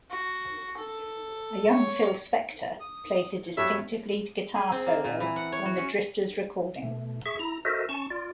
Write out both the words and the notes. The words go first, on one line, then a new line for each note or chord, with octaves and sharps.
A young Phil Spector played the distinctive lead guitar solo on The Drifters' recording.
F#4
A4
C#5
D#6
G2 F#3 G3 C#5 E5
G#4
C4
A#3
A#2
E3
F#5
C#5
F#4
C#4
B2 A3
G#4 E5 C#6
E4 A#5
F#4 A4 A#4 C5 D#5 E5
C#4 A5 C#6
F4 D5